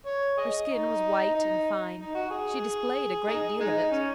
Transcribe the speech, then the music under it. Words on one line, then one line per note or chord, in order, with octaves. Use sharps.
Her skin was white and fine; she displayed a great deal of it.
C#5
G#4 D#5
D#4
D#4
D#4
F#4
G#4
D#4 G#4
G#3 D#4
C#4